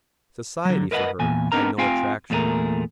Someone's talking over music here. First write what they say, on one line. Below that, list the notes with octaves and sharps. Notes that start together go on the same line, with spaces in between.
Society for her had no attractions.
D3 F#3
A#4 B4 D#5 E5 F#5
E2 A#2 G#5
B3 C4 D4 D#4 A#4 A#5
C4 F4 F5 G5 G#5
E2 A#2 A3 D#4 G#4 A#4